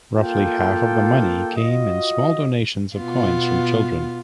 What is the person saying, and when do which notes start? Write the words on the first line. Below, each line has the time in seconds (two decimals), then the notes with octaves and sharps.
Roughly half of the money came in small donations of coins from children.
0.14 A#3 F4 A4 G5
1.57 F4 F#4 D#5
2.96 B2 B3 F4